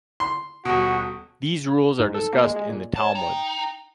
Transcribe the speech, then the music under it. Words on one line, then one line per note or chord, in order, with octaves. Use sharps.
These rules are discussed in the Talmud.
C6
D#1 B2 F#4
G#2
A4
A#3
G#3
G#3
A#2
C#5 A5
D#4 G5